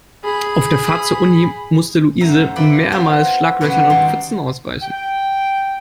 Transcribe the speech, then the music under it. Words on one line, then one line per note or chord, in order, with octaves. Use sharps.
Auf der Fahrt zur Uni musste Luise mehrmals Schlaglöchern und Pfützen ausweichen.
G#4 B5
F#2 A3 C5 E5 A#5
F4 B4 D5 E5 B5
B3 F4 C5
C#3 F#3 B3 D4 B4 C#5
D#3 G3 G#3 A5 C6
G5